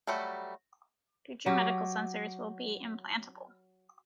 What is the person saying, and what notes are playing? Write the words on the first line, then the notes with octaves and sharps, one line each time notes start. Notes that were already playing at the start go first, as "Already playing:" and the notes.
Future medical sensors will be implantable.
F#3 G3 A3 F#4 B5
F#3 G4